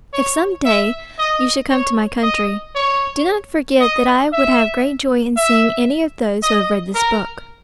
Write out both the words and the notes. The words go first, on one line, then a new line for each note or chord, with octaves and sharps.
If some day you should come to my country, do not forget that I would have great joy in seeing any of those who have read this book.
C#5
E5
D#5
C#5
D#5
C#5
D#5
E5
E5
D#5
A#4